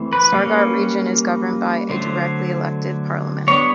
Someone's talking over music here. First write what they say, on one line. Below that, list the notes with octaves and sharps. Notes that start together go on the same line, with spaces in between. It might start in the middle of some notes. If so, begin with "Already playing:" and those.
Stuttgart Region is governed by a directly elected parliament.
Already playing: E3 A3 C4
B4
G3 A#3 C#4
D3 F#3 A3 C5
G3 B3 D4 C#5